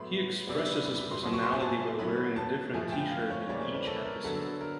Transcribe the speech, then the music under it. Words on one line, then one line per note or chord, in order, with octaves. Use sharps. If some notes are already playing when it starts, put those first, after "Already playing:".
He expresses his personality by wearing a different T-shirt in each episode.
Already playing: A2 F#3 B3 B5 C6
C3 E3 G3 B3
B5
B5
C6
B2 F#3 B3 C6
C#6
C6
G#5
A5
D#3 F#3 B3 B5
A5
A2 F3 A3 G#5
G5
F5
C#5
C#3 E3 G3 A#3 C#5
C5
B4
A4
A#4
D3 F#3 B3 A4
A#4